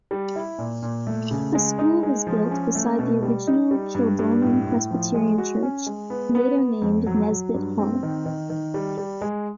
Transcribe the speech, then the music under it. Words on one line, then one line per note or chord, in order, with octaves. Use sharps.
A school was built beside the original Kildonan Presbyterian Church, later named Nisbet Hall.
G3
E4
A#2
A#2
A3
C#3
G#3
D#4
G#3
F3
C#4
A3
B2
G3
D#4
G3
G2
G2
A2
A2
F3
G#3
F#4
C#4
G#3
B3
B3
B3
F2
F#3
F#3
G2
C4
D#3
D#3
D#3
G3
G3
G#3